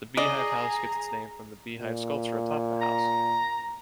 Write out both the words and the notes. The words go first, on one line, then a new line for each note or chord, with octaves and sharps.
The Beehive House gets its name from the beehive sculpture atop the house.
G#4 D5 D#5 A#5
A#2
A#5